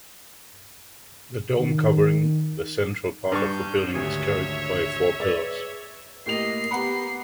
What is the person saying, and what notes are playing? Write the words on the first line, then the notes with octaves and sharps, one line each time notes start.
The dome covering the central part of the building is carried by four pillars.
D#3
G2 D4 C#6 G6 A6
G#1 D2 G4 C#5 E5 D#6 G#6
G#4 B4 D5 E6 A6 F7
A2 A#3 G4 D#5 C7 F7
B3 G4 F#5 A#5 B5